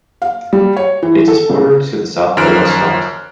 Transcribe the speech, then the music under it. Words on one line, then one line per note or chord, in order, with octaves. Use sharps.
It is bordered to the south by Westmont.
F5
G3
C#5
E3
A4
C#3
F#2 D#3 F3 F6 F#6 D7